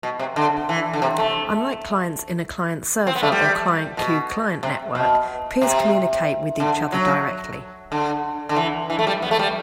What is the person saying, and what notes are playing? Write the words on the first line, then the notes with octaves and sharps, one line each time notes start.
Unlike clients in a client-server or client-queue-client network, peers communicate with each other directly.
B2
C3
D3
E3
D3
C3
A3
C4
B3
A3
G3
B2
C3
B2
C3
D3
F#3
D3
D3
E3
E3
A3
G3
B3
A3
G3